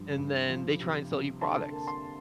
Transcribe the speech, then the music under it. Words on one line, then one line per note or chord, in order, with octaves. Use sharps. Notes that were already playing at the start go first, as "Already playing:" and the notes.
and then they try and sell you products.
Already playing: G2 F3
G2
F3
C3
C3
D3 A5 C6
A#3
A5 C6